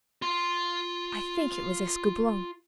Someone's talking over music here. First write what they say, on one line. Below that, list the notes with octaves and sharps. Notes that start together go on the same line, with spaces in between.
I think it was Escoublon.
F4 C6